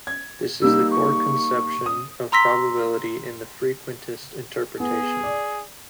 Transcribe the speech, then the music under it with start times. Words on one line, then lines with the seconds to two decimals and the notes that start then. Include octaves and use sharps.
This is the core conception of probability in the frequentist interpretation.
0.07 G#6
0.62 G3 A#3 D#4 E6
0.91 C#6
1.86 D#6
2.32 A#5 C6 E6 A#6 B6
4.80 B3 G#4
5.24 D5